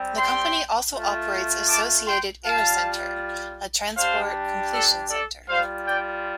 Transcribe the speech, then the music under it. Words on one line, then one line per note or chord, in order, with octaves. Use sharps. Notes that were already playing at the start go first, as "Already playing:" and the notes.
The company also operates Associated Air Center, a transport completion center.
Already playing: G3 C4 G4
G5 C6
A3 F4
A5 D6
G5 C6
G3 F4 F5 A5
G3 D4 G4 C5 F5
A4 D5
A4 D5
G3 F4 C5 F5
D5 G5